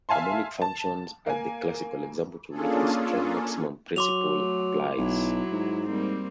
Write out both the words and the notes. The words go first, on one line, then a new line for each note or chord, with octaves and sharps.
Harmonic functions are the classical example to which the strong maximum principle applies.
E5 F5 G#5 A5 C6
A5
A#3 G#5
A#3 C#4 D4 F4 G#4 A4
F#3 C6 D6 F7
A3
B1 F#3 E4
G#2
G3 A#3 C4